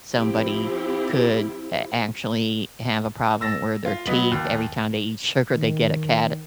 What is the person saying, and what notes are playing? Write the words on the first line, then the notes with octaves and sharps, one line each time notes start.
Somebody could a actually have a problem where their teeth every time they eat sugar, they get a cad
F3 C4 E4 G4
E6 A6 A#6
F4
F#3 B3 D#5 B6
D#2
D#3